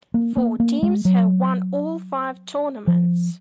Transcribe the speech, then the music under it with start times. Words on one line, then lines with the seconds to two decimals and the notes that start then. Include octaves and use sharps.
Four teams have won all five tournaments.
0.14 A#3
0.37 A#3
0.60 A#3
0.83 G#3
1.05 F#3
2.87 F3